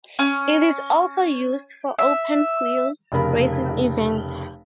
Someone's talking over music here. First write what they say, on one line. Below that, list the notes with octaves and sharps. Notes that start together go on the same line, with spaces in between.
It is also used for open wheel racing events.
C#4
E5
F1 C#3 A#4 B5